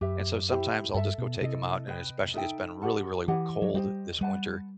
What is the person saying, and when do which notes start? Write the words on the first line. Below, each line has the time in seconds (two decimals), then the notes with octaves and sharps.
and, so, sometimes I'll just go take 'em out and especially it's been really, really w cold this winter,
0.01 F#2 G4 B4 E5
0.48 E4 G4 C5 E5
0.94 G2 A4 E5 A5
1.18 B2
1.41 C3 E4 A4 D#5
1.88 B4 D#5 G5
2.34 D#4 A4 E5 G5
2.82 G4 B4 F#5 A5
3.28 E3 G4 D#5 F#5 A5
3.62 F#3
3.74 G3 G4 C5 D#5
4.21 G3 B4 F#5 A5